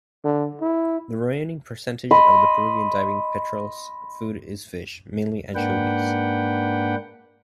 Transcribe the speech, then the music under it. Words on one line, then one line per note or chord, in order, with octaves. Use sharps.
The remaining percentage of the Peruvian diving petrels food is fish, mainly anchovies.
D3
E4
D#5 B5 C6
G#2 A#3 D4 B4 F#5 G5